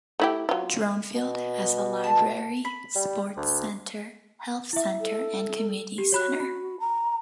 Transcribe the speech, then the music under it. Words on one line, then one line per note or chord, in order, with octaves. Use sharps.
Dronfield has a library, sports centre, health centre and community centre.
A3 E4 G4
F#3 F4
B2
A5
B5
G3
D2
E4 E5
A4
G4
F#4 C#5 B5 F#6
B5
A#5